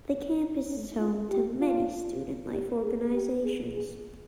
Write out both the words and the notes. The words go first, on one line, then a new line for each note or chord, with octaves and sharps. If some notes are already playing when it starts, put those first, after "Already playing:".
The campus is home to many student life organizations.
C#4
F4
G4
F4
G4
G#4
G4
G#4
G#4